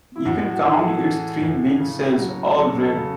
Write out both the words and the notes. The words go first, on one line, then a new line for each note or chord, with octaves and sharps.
You can count its three big sails — all red.
E4
A2 F#4
F#4
E3
G#4
A4
E3
A2
C#3
F#3
F#3 A4
A4
C#3